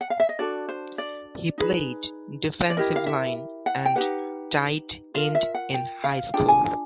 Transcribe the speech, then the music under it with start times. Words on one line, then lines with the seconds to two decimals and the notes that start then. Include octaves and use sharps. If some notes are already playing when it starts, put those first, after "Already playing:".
He played defensive line and tight end in high school.
0.01 F#5
0.10 F5
0.20 E5
0.29 D#5
0.39 D4 F#4 A4 D5
0.69 C5
0.98 D5
1.58 D#4 G#4 B4
2.70 D5
2.77 E4 G4 A#4 D#5
2.96 F5
3.06 E5
3.66 F#5
3.86 G5
3.96 D#4 G4 B4 F#5
5.14 F4 A#4 F5
5.35 E5
5.54 F#5
5.74 G5
6.04 F5
6.34 D4 F4 G#4 G5
6.48 G#5